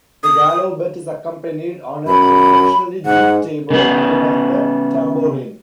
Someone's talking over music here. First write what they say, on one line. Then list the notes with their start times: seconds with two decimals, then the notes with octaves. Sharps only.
The galoubet is accompanied on an exceptionally deep tabor known as the tambourin.
0.23 D#6
2.07 F#2 B5
3.05 G#2 F#5
3.70 C#3 B3